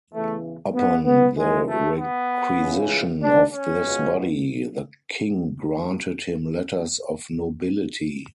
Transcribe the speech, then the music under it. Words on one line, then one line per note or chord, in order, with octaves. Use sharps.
Upon the requisition of this body the king granted him letters of nobility.
E2 C#3 E3 A3
B3
B3
F#2 E3 G#3
A3
B3
C#2 C#3 E3
D4
C#4
C#2 B2